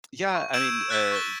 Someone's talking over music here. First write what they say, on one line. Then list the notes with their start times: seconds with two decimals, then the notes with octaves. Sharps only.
yeah, I mean, uh,
0.32 C#6
0.53 E6 G6 G#6 D7 E7 F#7
0.89 E6 F#6 A6 B6 G7
1.12 C#6 E7 G7